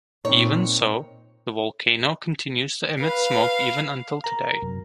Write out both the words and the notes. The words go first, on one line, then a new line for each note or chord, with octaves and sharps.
Even so, the volcano continues to emit smoke even until today.
A#2 C4 D#4 C#5
B4 F5
A#4 A#5
F#2 C3 F#3